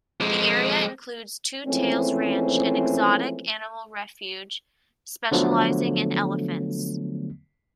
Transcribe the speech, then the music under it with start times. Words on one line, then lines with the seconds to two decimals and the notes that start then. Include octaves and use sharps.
The area includes Two Tails Ranch, an exotic animal refuge specializing in elephants.
0.20 F2 G#3
1.66 E3 F3 G#3 A3 C4 C#4
5.31 D3 F3 F#3 A3 B3